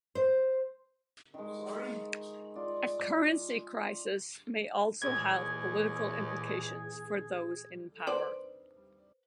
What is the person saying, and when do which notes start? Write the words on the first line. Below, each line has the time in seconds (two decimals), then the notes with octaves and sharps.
A currency crisis may also have political implications for those in power.
0.15 C5
1.34 D#3 G#3
2.55 F4 D5
5.02 D#2 A#2 E3 G#4 G#6
8.07 B4 C5 D5